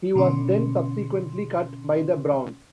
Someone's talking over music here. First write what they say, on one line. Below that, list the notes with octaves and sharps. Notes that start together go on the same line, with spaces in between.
He was then subsequently cut by the Browns.
B2 D3 C#4 C6